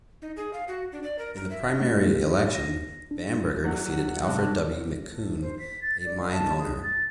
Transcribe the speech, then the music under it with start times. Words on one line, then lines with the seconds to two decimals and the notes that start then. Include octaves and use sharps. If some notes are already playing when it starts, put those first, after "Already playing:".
In the primary election, Bamberger defeated Alfred W. McCune, a mine owner.
0.22 D#4
0.37 G#4
0.53 F5
0.68 F#4
0.92 D4
1.03 D5
1.19 A#4
1.36 A#4
1.51 E5
1.81 A3
2.06 G4
2.55 A#6
3.11 D4
3.64 E2 D#3 F#3 F#5
4.27 G#2 C3 D4 D#4 A4 A#4
5.09 A4
5.40 C5
5.59 B6
5.81 A6
6.05 D5
6.31 A5
6.58 G#4
6.82 A6